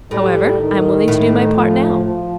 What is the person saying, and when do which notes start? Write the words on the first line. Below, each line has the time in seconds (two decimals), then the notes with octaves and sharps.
However, I am willing to do my part now.
0.11 A2 G3
0.59 D#3
1.08 A2
1.56 F3
2.04 F3